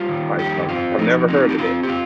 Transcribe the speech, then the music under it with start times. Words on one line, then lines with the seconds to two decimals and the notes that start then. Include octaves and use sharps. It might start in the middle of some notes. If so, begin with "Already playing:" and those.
Python. I've never heard of that.
Already playing: G3 F4
0.09 D#3
0.38 G2 G4
0.68 C4 F4
0.98 F3 D#4
1.28 C4 D#4
1.49 G4
1.58 C4 F4
1.83 G4
1.89 F4